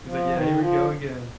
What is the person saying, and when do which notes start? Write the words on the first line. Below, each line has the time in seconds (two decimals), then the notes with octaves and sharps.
He's like, "Yeah. Here we go again."
0.07 F3
0.32 D#3
0.59 F3